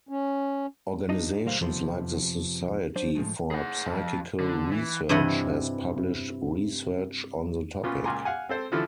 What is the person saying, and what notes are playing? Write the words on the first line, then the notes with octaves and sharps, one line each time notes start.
Organisations like the Society for Psychical Research has published research on the topic.
C#4
D4 D#4 F4 D#5
D2 B2 G3 A#4 C5 F5
F2 C3 F3 B3 B5 C6
F#3 D4 C5
A2 F3 G#3 A3
G#4 F#5
F2
D3
E3
G2 C3 E3 D#5 F#5
A#2 B3 C#4 F4
C#2 A#2 G#5 A#5 C6
F5 F#5 G#5
C4 A4 C5
D3 E3 F3 E4 F4 A4